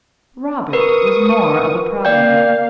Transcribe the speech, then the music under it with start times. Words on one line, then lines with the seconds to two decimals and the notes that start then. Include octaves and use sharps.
Robert was more of a problem.
0.73 A#4 B4 C#6 D#6
2.05 A#3 D5 F5 G5 G6